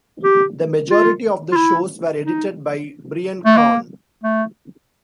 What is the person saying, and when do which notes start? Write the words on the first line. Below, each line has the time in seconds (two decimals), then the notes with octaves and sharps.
The majority of the shows were edited by Brian Karn.
0.24 G4
0.91 F4
1.52 F4
1.57 E4
2.24 D#4
3.46 A3
3.57 A#3
4.23 A3